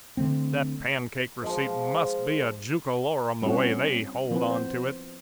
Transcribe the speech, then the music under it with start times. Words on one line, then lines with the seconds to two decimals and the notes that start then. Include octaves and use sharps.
That pancake receipt must be a jookalorum, the way they hold on to it.'
0.17 D3 A3 C4
1.41 F3 G#3 C5
3.42 G3 C4 C#4 E4 F#4
4.31 F3 B3 C4 E4 B4
4.51 C5